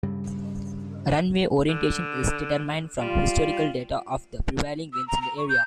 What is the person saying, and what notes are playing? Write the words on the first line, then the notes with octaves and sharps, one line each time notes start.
Runway orientation is determined from historical data of the prevailing winds in the area.
G2 C#3 G3
D3
G3 F4
E6
A#5
A#5
C#6
G6